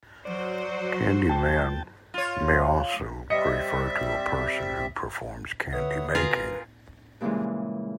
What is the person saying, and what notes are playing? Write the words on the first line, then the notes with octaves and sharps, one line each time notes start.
Candyman may also refer to a person who performs candy making.
F#3 F#4 C5 D5
G5 A5
F4 C#5
G3 C4 D#5 E5 C#7
D3 B4 C#5 E5 F#5 D#6
B2 F4 G#4 A#4
G2 A#2 C#3 E3 G#3